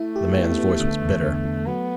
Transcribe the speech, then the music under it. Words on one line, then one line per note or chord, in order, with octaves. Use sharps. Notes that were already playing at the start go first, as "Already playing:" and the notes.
The man's voice was bitter.
Already playing: A3 E4
G4
B3
B3
D3
E2
D3
D3
F#3 B3